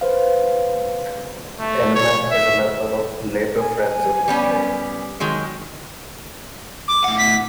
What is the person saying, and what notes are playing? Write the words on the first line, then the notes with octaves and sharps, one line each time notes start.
Ellman is a member of Labour Friends of Israel.
B4 C5 F5
A3
C#5
E5
G#5
G3 B3 C#4
D#3 F#3 G#3
D6
A2 F#5
B6